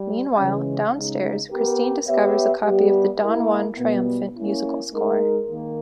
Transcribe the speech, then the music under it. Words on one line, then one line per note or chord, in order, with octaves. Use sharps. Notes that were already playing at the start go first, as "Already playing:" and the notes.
Meanwhile, downstairs, Christine discovers a copy of the "Don Juan Triumphant" music score.
Already playing: G3
C#3 E3 G#3 C#4
C#3 G#3 D#4
B3 G4 A#4
B3 G4 C#5 E5
G3 B3 G4
A#3 E4 A#4
B2 G3 B3
A#3 C#4 E4
G#3 D#4 A#4
D#3 A#3